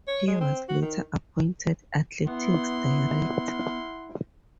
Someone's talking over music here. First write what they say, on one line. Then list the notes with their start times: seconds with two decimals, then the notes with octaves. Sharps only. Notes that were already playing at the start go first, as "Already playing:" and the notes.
He was later appointed athletics director.
0.08 C#5
0.28 G#3
0.40 C4
0.69 F#4
0.82 D#3
2.28 B3 E4 F#5 C6